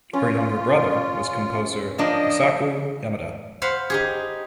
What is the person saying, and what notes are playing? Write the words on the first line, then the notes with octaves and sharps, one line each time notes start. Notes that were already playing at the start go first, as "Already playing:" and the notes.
Her younger brother was composer Kosaku Yamada.
C#4 F4
F3 A#3 D4 D#5
C5 F5 F#5 B5
D#4 G4 G#4